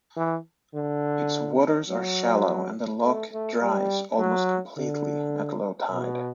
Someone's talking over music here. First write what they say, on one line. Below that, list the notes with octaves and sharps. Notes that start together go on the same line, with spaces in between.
Its waters are shallow and the loch dries almost completely at low tide.
E3
D3
F#3
A3
A3
G3
F#3
D3
B2